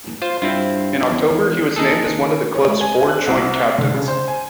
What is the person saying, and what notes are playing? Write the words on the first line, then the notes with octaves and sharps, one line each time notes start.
In October, he was named as one of the club's four joint-captains.
F4 C5
G2 C4 E4 F4
E2
D#2 D#4 G#4 A4
C#5
G#3
G#5
F#6
C2
D3
C#3
C5
G#5